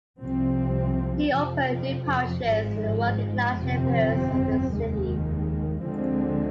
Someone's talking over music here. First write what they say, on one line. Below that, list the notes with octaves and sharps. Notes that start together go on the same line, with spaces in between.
He opened new parishes in the working-class neighborhoods of the city.
C2 C3 F3 C4
F2 C3 F3
G#1 G#2 F3 G#3
G1 F2 C3 F3 C4
F1 D#2 D#3 G#3
D2 D3 F3 G#3 C4